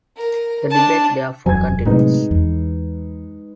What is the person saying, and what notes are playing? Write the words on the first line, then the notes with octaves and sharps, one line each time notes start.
The debate therefore continues.
A#4
D4 A5
E1 F#2 F#3 G#5 G#6
A2 C3 F#3 G#3 D#4 B4
E2